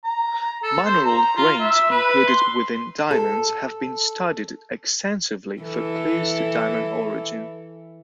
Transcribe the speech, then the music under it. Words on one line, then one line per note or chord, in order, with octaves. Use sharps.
Mineral grains included within diamonds have been studied extensively for clues to diamond origin.
A#5
A4
C5
A#5
F4
E5
B4
C6
A4
E3 A4